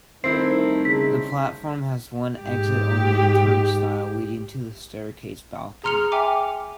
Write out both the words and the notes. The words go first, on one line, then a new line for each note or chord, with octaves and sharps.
The platform has one exit-only turnstile leading to the staircase balcony.
D#3 G3 A3 C4 D#4 E4 C7
C#3 B6
G#2 G4
G#4 A#5 C6 F6 C#7 F7
E5 G5 G#5 D6